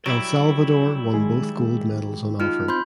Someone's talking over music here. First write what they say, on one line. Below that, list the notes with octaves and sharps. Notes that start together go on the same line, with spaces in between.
El Salvador won both gold medals on offer.
F#3 G3 E4 D7
D#3 G#3 G#4
D#4 F4 F6
C4 B5 C6 G6